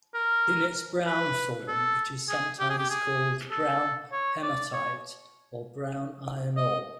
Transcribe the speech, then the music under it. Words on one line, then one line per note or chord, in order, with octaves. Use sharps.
In its brown form it is sometimes called brown hematite or brown iron ore.
A#4
B4
A4
G#4
G4
G#4
G4
G#4
A4
C#5
D5
C#5
D#5